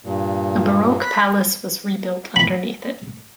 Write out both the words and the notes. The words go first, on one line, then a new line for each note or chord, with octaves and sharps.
A Baroque palace was rebuilt underneath it.
G2 A#2
B5 F#6
B5